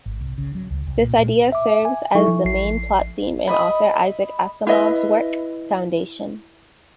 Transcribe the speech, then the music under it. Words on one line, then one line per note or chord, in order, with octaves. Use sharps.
This idea serves as the main plot theme in author Isaac Asimov's work, "Foundation".
G#1
C2
C#3
F#3
C#2
C2
A#2
A#2
E5 D6
G#5
F#3 D#4 E4 A4 E5 C#6
F3
A1 C7
D#5 E5 B5
E4 B4 D#5 E5